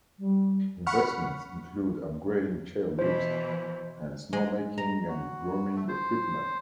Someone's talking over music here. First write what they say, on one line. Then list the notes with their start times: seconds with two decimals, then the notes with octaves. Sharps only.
Investments include upgrading chair lifts and snow-making and grooming equipment.
0.19 G3
0.87 F#5 B5 C#6 F6
2.99 B2 E3 C5
4.33 G#3
4.78 A#5
5.09 F#4
5.76 A3
5.88 C5